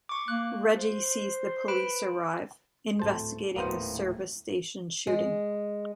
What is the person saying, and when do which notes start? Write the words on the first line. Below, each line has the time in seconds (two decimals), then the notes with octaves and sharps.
Reggie sees the police arrive, investigating the service station shooting.
0.09 C#6 D6
0.28 A#3 F#6
0.76 C5
1.68 B4 B5 D7
2.99 D1 A3 C5 A5
3.56 D#1 A2 A#3 B3 C5 A#5 D#7
5.07 G#3